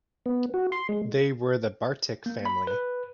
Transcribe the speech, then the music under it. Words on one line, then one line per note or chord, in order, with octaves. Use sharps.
They were the Bartik family.
B3
F#4
C6
G#3
A#3
B5
B4